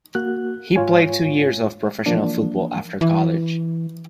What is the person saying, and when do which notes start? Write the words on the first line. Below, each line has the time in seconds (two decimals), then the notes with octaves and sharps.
He played two years of professional football after college.
0.15 A#3 F#4 F#6
0.76 G#2 F4 C#5 G#5
2.06 E3 F3 A#3 D4
3.01 E3